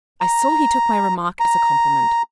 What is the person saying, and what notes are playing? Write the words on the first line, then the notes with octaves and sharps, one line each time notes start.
I saw he took my remark as a compliment.
A#5
A#5